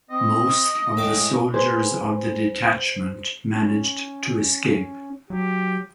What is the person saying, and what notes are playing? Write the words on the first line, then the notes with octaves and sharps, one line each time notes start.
Most of the soldiers of the detachment managed to escape.
C4 D#5
A2 G#3 D6
G#4 B4 C5
C#4
F#3 G4